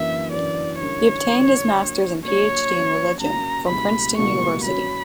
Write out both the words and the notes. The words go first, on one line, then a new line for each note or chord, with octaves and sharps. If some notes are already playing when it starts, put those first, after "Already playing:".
He obtained his master's and Ph.D in religion, from Princeton University.
Already playing: F#2 E3 A#3 D4 A#4 E5
F#2 E3 A#3 D4 A#4 D5
D3 G3 C#4 E4 A#4 C#5
D3 G3 C#4 E4 A#4
F#3 A#3 D4
F#3 A#3 D4 C#5
F#3 A#3 C#4
F#3 A#3 C#4 A#5
C#2 B2 G3 A#3 E4 B5
C#2 B2 G3 A#3 E4 C#6
F#3 C#4 F#4 C#5 B5